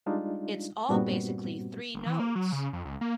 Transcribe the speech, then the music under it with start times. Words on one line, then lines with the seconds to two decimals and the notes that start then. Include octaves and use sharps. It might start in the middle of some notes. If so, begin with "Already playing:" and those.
It's all basically three notes!
0.06 G3 G#3 D4 D#4 F4
0.89 G2 A#2 G3 B3 C4 F#4
1.94 G1
2.06 E3
2.20 A#3
2.35 F#3
2.52 C#3
2.73 F2
2.85 C#2
3.01 A#3